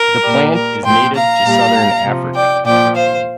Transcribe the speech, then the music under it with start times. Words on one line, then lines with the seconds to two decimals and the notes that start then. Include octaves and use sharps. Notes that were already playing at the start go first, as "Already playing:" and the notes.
The plant is native to southern Africa.
Already playing: A#4
0.23 A#2 G3
0.54 A#4
0.83 A#2 F3 G5 C6
1.14 F5 A#5
1.44 A#2 G3
2.04 C3 F3
2.35 D5 G5
2.65 A#2 F3 D5 G5
2.95 C5 F5